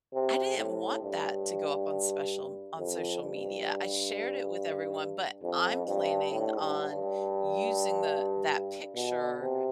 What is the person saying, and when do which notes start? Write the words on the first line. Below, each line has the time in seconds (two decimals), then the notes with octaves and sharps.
I didn't want that to go up on special on social media. I shared it with everyone, but I'm planning on using the that picture.
0.14 C3
0.58 A2
1.02 G2
2.78 F2
3.23 G2
5.43 F2
5.87 G2
6.31 A2
6.60 G2
6.90 G2
8.95 B2
9.40 C3